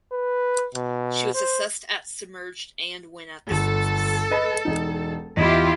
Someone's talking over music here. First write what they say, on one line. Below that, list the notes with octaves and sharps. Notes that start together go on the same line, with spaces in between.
She was assessed at submerged and when at the surface.
B4
B2
C5
G1 A4
B4 D#5 B5
E1 D#4
E2 E4 F4 G4 D#5